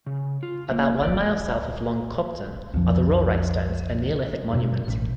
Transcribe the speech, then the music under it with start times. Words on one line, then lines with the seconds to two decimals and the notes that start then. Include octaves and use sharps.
About one mile south of Long Compton are the Rollright Stones, a neolithic monument.
0.06 C#3
0.43 F4
0.71 A#3
1.03 D5
2.74 B1 F2 F3
4.53 G2 B2
4.88 A1